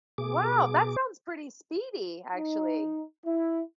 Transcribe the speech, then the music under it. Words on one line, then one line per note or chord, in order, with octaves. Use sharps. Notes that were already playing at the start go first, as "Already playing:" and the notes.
Wow, that sounds pretty speedy, actually.
B2 G#4 D6
D#4
E4